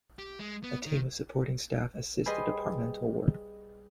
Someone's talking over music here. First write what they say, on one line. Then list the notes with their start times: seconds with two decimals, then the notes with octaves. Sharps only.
A team of supporting staff assist the departmental work.
0.19 G4
0.39 G#3
0.63 B3
0.86 D#3
2.26 G3 G#4 B4 C5 D#5